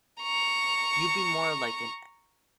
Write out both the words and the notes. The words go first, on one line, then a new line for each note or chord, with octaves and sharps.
you'll be more like an e
A#5 C#6